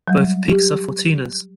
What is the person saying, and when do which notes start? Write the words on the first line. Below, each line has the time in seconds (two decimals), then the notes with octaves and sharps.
Both peaks are fourteeners.
0.08 F#3 G3
0.51 G4